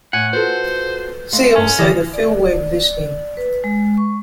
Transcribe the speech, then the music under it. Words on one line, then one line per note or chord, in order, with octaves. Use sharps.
See also the 'Philweb' listing.
A2 F#5 G#5
F4 F#4 A4 B4 C5
G#3 A3 F5
G2 C#4 G#5
D3 E3 D#6 A#6
D5
B4
G#3
C#6